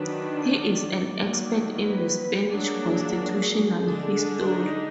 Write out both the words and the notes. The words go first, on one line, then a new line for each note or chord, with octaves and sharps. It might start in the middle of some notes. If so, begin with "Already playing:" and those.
He is an expert in the Spanish constitutional history.
Already playing: D#3 F#3 D4 B4
D5
D#3 F#3 A#3
B4
F#3 A#3 D4 G#4
G#4
D3 G#3 D4
D#4